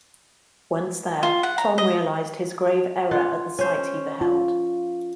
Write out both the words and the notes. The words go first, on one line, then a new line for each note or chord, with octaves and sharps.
Once there, Tom realised his grave error at the sight he beheld.
F4
F#5
A#5
D#5
F4 F#5
C#4 C5
F4